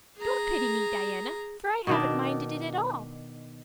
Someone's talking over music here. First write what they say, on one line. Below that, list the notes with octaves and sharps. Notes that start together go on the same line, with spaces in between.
Don't pity me, Diana, for I haven't minded it at all.
G#4 A#5
B2 D#3 D4